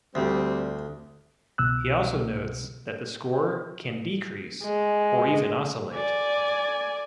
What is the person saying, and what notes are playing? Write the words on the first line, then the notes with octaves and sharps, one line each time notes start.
He also notes that the score can decrease, or even oscillate.
D2 G3 C4
C2 B2 E6 F#6
G#3
D5 G#5